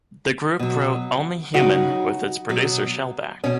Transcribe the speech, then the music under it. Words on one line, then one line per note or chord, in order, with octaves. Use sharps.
The group wrote "Only Human" with its producer Shellback.
B2 F#3
C#3 F#3 D#4 F#4
B2 F#3
B2 C#4